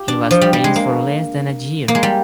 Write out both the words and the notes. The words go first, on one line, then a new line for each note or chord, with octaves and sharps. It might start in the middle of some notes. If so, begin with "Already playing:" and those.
He was prince for less than a year.
Already playing: F4 G4
D4
F3
G3
G3
G#3
A#3
A#3
G#3
G3